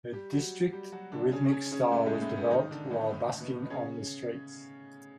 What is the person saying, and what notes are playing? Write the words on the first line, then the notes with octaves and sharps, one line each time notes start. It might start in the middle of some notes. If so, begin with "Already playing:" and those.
Her district rhythmic style was developed while busking on the streets.
G3 G4
F#3 F#4
G3 G4
F#3 F#4
D3 D4
C#3 C#4
C#3 C#4
C#3 C#4
A2 A3
G#2 G#3
A2 A3
B2 B3
D#3 D#4
D3 D4
A2 A3
A2 A3
B2 B3
C#3 C#4